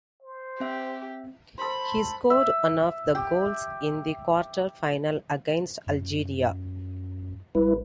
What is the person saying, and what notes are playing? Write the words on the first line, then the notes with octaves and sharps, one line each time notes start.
He scored one of the goals in the quarter final against Algeria.
C5
C4 G4 E5
A4 C5 B5
E5
G4
F#2
A1 G3 E4 B4